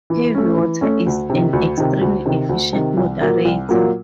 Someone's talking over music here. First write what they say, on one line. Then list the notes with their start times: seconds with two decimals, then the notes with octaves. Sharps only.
Heavy Water is an extremely efficient moderator.
0.10 E3
0.35 A3 C#4
0.57 E3
0.81 A3 C#4
1.06 D2
1.30 C3 D#3
1.53 D2
1.77 C3 D#3
2.01 D2
2.26 C3 D#3
2.49 D2
2.73 C3 D#3
2.97 C2
3.21 A#2 F#3 A#3
3.45 C2
3.69 A#2 F#3 A#3